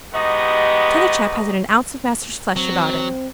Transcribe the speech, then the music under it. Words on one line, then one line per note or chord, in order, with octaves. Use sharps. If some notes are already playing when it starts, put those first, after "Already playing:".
T'other chap hasn't an ounce of measter's flesh about him.
G#3 B3 D#4 F#4 G4 D#5
F#3 C4